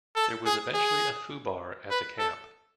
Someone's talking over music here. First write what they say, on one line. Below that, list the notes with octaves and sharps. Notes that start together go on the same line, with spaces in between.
There was eventually a Foo Bar at the camp.
A4
G#4
G#4
B4
A4